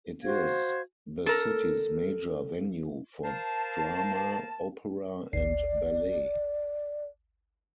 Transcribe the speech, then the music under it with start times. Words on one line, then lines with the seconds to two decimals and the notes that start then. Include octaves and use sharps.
It is the city's major venue for drama, opera and ballet.
0.24 F#4 C5 F5 G#6
1.26 A4 A#4
3.24 A#4 C5 F5 A5
5.33 G#1 D2 D5 C7